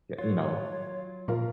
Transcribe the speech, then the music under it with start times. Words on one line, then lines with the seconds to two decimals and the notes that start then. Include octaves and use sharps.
eh, you know?
0.18 F#3 F4 C#5
1.28 A#2 F3 A#4 F5